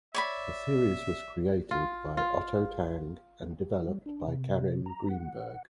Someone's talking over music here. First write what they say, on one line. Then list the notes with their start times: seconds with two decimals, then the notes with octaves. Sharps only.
The series was created by Otto Tang and developed by Carin Greenberg.
0.15 C#5 D5 E5 B5
1.71 F4
2.17 F4
3.87 G3
4.06 D4
4.27 C3
4.86 A#5
5.09 F#5